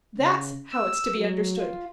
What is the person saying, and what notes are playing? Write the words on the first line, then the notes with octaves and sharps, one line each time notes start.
That's how it's to be understood!
C#3
E6
F#3
F4